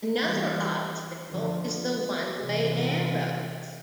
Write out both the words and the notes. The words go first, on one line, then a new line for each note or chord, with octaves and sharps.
Another obstacle is the one-way arrows.
E3 G3
D3 F3
C3 E3